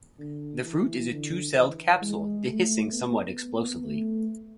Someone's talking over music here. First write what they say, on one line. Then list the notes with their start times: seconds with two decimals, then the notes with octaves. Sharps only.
The fruit is a two-celled capsule, dehiscing somewhat explosively.
0.18 D3
0.64 E3
1.09 D3
1.56 E3
2.01 G#3
2.47 A3
2.92 B3
3.22 B3
3.53 B3
3.84 A3